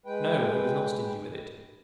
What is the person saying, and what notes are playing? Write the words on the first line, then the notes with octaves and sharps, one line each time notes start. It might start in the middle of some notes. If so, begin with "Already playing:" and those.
No, he was not stingy with it.
G#3 B4 G5